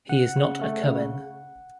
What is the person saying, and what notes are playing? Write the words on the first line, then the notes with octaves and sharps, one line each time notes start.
He is not a Kohen.
C#3 F#5
C#3
A3
C#3